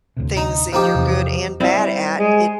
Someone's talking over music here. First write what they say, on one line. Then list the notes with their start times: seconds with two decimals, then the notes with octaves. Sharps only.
things that you're good and bad at it
0.17 D2 A2 C3
0.37 D#4
0.73 F3 D#4 G4
0.94 E2 C3 E3
1.60 G3 C4 E4
2.18 G#3